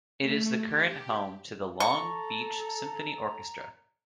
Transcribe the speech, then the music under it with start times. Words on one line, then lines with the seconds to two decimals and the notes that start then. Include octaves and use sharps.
It is the current home to the Long Beach Symphony Orchestra.
0.20 A3
0.66 G4
1.80 A4 A#5 C#6